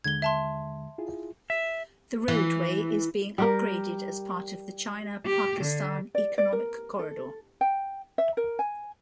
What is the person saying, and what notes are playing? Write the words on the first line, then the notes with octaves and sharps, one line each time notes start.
The roadway is being upgraded as part of the China-Pakistan Economic Corridor.
D#2 D3 G#3 G#6 G7
E5 A5 C6
E4 F4 G#4
E5
E3
G3 G4 A#4
G4
D3
D5
D5
A#4
A4
G5
E5
A#4
G#5